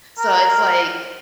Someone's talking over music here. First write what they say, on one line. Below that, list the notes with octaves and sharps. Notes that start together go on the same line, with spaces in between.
So, it's, like
A#4